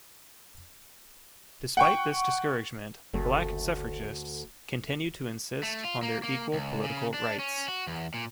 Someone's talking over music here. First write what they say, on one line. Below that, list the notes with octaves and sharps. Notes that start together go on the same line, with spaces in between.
Despite this discouragement, black suffragists continued to insist on their equal political rights.
F#5 G5 C#6
F#1 D2 A3
A3
F4
A#3
A#3
C#2
C#3
D4
C#4
F#4
E2
A#2